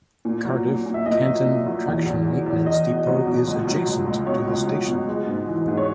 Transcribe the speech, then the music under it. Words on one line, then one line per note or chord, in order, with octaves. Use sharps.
Cardiff Canton Traction Maintenance Depot is adjacent to the station.
A#2
F#3
A#2
A#2
E5
A#2 D#5
F#3
A#2
F#3
E2
E2
F#3
E2
E2 D#5
B2
F#3
B2
C#2
F#3
C#2
C#2
B2 C#5
C#2
F#3
B2
G#3
G#2
E3
G#2
C#5